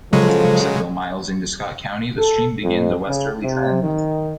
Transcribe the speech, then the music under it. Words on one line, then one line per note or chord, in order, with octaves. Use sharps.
Several miles into Scott County, the stream begins a westerly trend.
C#3 F3 F#3 G#3 A4
A4
F2
C#3
C3
D#3